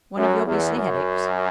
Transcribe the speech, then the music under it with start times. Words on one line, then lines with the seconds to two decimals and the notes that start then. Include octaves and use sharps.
One of your beastly head-aches.
0.17 F#2
0.46 E2
0.75 F#2